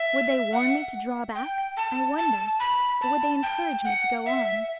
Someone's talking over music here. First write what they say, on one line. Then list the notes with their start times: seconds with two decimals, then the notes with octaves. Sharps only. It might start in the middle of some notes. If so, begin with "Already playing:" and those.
Would they warn me to draw back, I wonder? or would they encourage me to go on?
Already playing: E5
0.53 F#5
1.36 G5
1.77 A5
2.18 A5
2.60 B5
3.02 A5
3.43 G5
3.85 F#5
4.26 E5